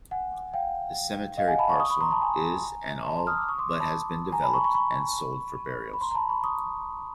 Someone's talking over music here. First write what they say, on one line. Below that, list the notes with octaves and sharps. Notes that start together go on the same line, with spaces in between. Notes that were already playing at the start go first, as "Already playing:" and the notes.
The cemetery parcel is and all but has been developed and sold for burials.
F#5 G#5
F5 G5
D#5 F5
F#5 G#5
A5 B5
B5 C#6
C#6 D#6
B5 C#6
A#5 C6
A5 B5
G#5 A#5
A5 B5
A#5 C6
D#6 F6
D6 E6
C#6 D#6
C6 D6
C6 D6
A5 B5
G#5 A#5
A5 B5
B5 C#6
B5 C#6
B5 C#6
B5
A#5 C6
A#5
A5 B5
B5 C#6
C#6 D#6